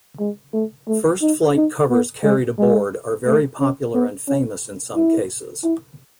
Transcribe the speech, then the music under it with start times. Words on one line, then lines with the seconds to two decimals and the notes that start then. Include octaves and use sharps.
First flight covers carried aboard are very popular and famous in some cases.
0.20 G#3
0.54 A3
0.88 A3
1.22 D#4
1.56 D#4
1.90 B3
2.23 G#3
2.59 G#3
3.27 A3
3.60 C#4
3.94 B3
4.29 C#4
4.96 E4
5.64 E4